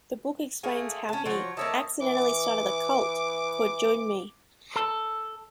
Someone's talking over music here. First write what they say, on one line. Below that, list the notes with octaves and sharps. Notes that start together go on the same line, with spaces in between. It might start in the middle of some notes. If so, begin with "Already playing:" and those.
The book explains how he "accidentally started a 'cult'" called Join Me.
A3 A#3 G#4
C#4 A5
F3 F#3 C#5
A#3 E4 A4 C#5 D#5 A5
E3 D6
A4